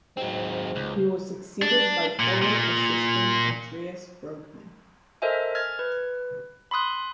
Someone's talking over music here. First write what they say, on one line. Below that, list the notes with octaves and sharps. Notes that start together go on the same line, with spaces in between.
He was succeeded by former assistant Andreas Bergmann.
G#2 F#3 C4
C#2
D4
A#2
A#2
A4 A#4 C5 D#5 E5 G#5
F6 G#6 A6
B4
B5 C6 D#6 F#6